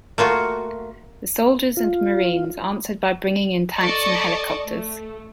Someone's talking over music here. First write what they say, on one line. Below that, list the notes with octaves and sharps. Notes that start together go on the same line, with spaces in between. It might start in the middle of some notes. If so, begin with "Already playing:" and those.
The Soldiers and Marines answered by bringing in tanks and helicopters.
A3 A#3 F4 F#4
F4
A4 D5 D#5 A5 C#6
A3